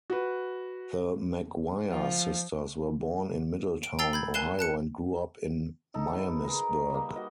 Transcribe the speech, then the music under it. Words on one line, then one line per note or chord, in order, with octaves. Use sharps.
The McGuire sisters were born in Middletown, Ohio, and grew up in Miamisburg.
F#4 B4
F3 F4
D7
G5 A#5 E6 A6 C7 G7
B5 G6 G#6
A#4 G#5 F#6 C7 E7 G7
A5 F#6 C#7
D#4 A4
B4 B5
G#4 A#4
A#4
G3 A#3
F#4 D#5